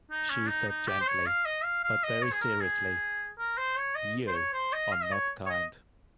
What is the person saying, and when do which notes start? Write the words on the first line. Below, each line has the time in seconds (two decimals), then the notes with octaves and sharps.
She said gently, but very seriously, "you are not kind."
0.11 D#4
0.30 C#4
0.49 D#4
0.68 D#4
0.88 G4
1.01 C5
1.07 C#5
1.26 F5
1.45 D#5
1.64 F5
1.84 F5
2.04 D#5
2.22 C#5
2.32 G#4
2.41 A#4
2.61 G#4
3.38 A#4
3.58 C5
3.76 C#5
3.96 D#5
4.27 C5
4.34 C#5
4.53 C5
4.73 D#5
4.92 F5
5.03 D#5
5.12 C#5
5.46 C#5
5.50 D#5